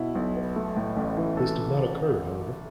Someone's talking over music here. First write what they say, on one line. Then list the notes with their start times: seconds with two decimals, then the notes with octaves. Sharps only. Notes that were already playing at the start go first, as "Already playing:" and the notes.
This did not occur, however.
Already playing: B2 E4
0.15 B1
0.35 B3
0.56 A3
0.76 A2
0.96 A1
1.17 E3
1.37 A4